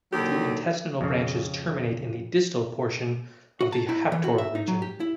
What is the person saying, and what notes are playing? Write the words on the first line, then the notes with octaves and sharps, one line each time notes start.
The intestinal branches terminate in the distal portion of the haptor region.
D#2 D3 F#3 G4
F2 C#3
F#4
A5
E4
E3
F#4
E5
D#4
F#3
G4
E4